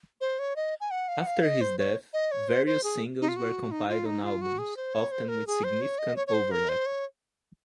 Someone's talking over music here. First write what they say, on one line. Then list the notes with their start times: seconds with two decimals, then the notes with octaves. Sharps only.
After his death, various singles were compiled on albums, often with significant overlap.
0.21 C5
0.39 C#5
0.56 D#5
0.81 G#5
0.91 F#5
1.08 F5
1.21 F#5
1.26 F5
1.43 D#5
1.61 C5
1.79 C#5
2.13 D#5
2.32 C#5
2.48 C5
2.66 C5
2.84 G#4
3.21 D#4
3.28 F4
3.36 F#4
3.71 D#4
3.89 F4
4.06 D#4
4.24 F4
4.41 F#4
4.58 G#4
4.77 C5
4.94 C#5
5.12 C5
5.28 A#4
5.47 G#4
5.64 C5
5.82 C#5
5.99 D#5
6.16 C#5
6.27 C#5
6.34 C5
6.51 A#4
6.69 C5
6.86 C#5